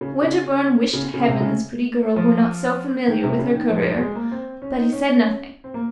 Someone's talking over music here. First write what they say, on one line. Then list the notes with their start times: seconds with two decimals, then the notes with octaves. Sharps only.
Winterbourne wished to Heaven this pretty girl were not so familiar with her courier; but he said nothing.
0.01 C#3
0.22 C#3
0.93 C#3
1.14 C#3
1.27 C3
1.41 C#3
2.16 F3
3.08 D#3
3.23 C3
3.39 C#3
3.54 D#3
3.70 F3
4.00 G#3
4.15 A#3
4.31 C4
4.62 C#4
4.77 D#4
4.93 C#4
5.64 C4
5.74 A#3